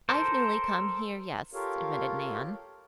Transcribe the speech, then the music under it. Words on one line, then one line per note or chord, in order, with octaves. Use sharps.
"I've newly come here, yes," admitted Nan.
A4 A#4 C5
F4 G4 A4 A#4 C#5 F5